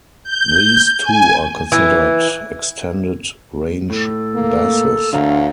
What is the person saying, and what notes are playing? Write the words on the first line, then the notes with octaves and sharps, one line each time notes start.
These too are considered extended-range basses.
G6
G#5
E3
A2 A4
A#3
D2 D3 C#5 F5 A#5